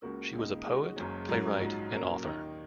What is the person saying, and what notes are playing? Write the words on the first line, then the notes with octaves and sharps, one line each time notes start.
She was a poet, playwright and author.
C#2 C#3 A#3 F#4 A#4
C#2 C#3 A#3 D#4
C#3 G#3 D#4 F#4
F#1 F#2 C#3 G#3 C#4
G#2 F#3 C#4 A#4
A#1 G#2 F#3 D#4
A#2 F#3 C#4 A#4
D#2 D#3 A#3 D#4